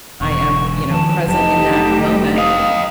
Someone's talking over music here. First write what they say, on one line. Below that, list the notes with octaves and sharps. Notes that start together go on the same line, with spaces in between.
I am, you know, present in that moment
E1 C#6
D#3 F3 A5
F1 F#3 A3 D#4 G4 A5
D#5 F5 D#6